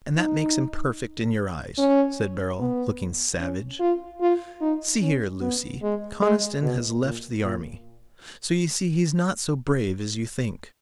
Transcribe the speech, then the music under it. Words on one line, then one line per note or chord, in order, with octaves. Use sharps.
"And that makes him perfect in your eyes," said Beryl, looking savage. "See here, Lucy, Conniston has left the army--so you see he is not so brave as you think."
D#4
C#4
B3
C#4
F4
F4
D#4
C#4
B3
G#3
G#3
B2
A#2
A#2